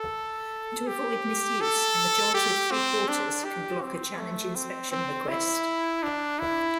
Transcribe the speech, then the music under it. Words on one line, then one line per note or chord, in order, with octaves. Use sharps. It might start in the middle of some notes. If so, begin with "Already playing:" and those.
To avoid misuse, a majority of three quarters can block a challenge inspection request.
Already playing: A4
G4
A4
G4
C4
D4
G4
C4
A3
C4
C4
E4
D4
E4